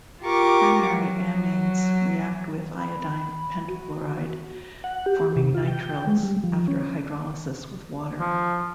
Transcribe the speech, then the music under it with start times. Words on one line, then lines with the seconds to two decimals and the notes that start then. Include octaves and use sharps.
Primary amines react with iodine pentafluoride forming nitriles after hydrolysis with water.
0.23 F4 G4 A#4 C#6 D6
0.89 F#3
2.77 B5
3.68 F#4
4.84 F#5
5.06 G4
5.36 C3
5.55 F4
5.68 G5
6.07 G#3
6.23 G3
6.44 F3
6.68 C#4
8.20 F3